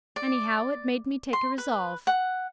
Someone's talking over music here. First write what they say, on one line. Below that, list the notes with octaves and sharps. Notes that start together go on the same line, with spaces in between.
Anyhow, it made me take a resolve.
D5
C6
B4
F#5